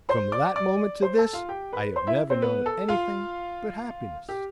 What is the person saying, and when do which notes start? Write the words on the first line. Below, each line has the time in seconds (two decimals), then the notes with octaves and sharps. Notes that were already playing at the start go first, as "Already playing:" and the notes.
From that moment to this I have never known anything but happiness.
0.09 C5 C6
0.32 D5 D6
0.56 D5 D6
1.02 C5 C6
1.18 A4 A5
1.33 F4 F5
1.49 G4 G5
1.73 B4 B5
1.96 C5 C6
2.07 E4 E5
2.30 C4 C5
2.42 B3 B4
2.66 A4
2.89 F4 F5
4.29 G4 G5